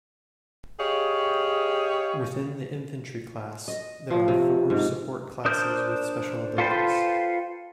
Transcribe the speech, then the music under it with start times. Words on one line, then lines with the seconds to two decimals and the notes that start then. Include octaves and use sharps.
Within the infantry class, there are four support classes with special abilities.
0.78 G4 G#4 C#5 D#5 F5
3.68 D#5
4.10 F3
4.28 C3
4.70 G#2
5.45 D4 A#4 C5 D#6 G6
6.58 F4 A4 B4 C5 G5